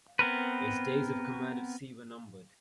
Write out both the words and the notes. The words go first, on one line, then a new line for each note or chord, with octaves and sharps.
His days of command at sea were numbered.
B3 C4 A#4 B4